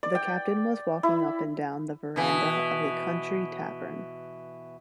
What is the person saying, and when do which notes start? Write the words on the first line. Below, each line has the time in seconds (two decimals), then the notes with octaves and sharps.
The Captain was walking up and down the veranda of a country tavern.
0.03 D5
0.15 G5
1.03 E4
2.16 B2 E3